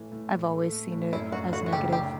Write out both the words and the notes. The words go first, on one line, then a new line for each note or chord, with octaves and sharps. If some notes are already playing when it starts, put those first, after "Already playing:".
I've always seen it as negative,
Already playing: A2 E3 A3
A2
A2
A3
A3
A2
F#2 E4
F#2 F#4
D3 F#4
F#4
F#1 G4
F#1 G4